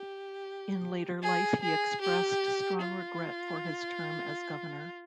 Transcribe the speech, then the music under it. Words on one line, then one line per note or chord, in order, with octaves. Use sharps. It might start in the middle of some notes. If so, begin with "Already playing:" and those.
In later life he expressed strong regret for his term as governor.
Already playing: G4
G#4
G#4
G4
F4